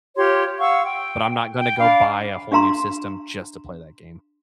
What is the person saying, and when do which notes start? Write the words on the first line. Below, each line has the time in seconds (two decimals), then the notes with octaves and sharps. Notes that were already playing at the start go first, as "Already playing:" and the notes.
but I'm not gonna go buy a whole new system just to play that game.
0.16 F4 G4 C#5 C6
0.59 F5 F#5 C#6 E6
0.84 G5
1.58 G5
1.78 D4 F5 B5
2.51 D4 G4 F5 A#5 C6